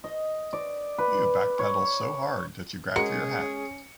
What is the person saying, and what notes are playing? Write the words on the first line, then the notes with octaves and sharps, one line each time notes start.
You back-pedal so hard that you grab for your hat.
D#5
D5
B4
C#5
G#3 C#4 F#4 G#4 A#4 C#7